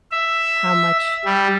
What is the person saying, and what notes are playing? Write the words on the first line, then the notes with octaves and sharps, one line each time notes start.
How much
E5
G3